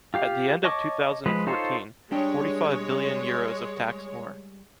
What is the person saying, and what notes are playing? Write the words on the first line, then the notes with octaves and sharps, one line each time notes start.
At the end of two thousand and fourteen, forty-five billion euros of tax more.
F4 G4 F5
C#5 D#5 A5 C#6 D6
F3 G#3 B4
D#4 F4 A4 C5 C#5
G3 G#3 D4 C#5 G5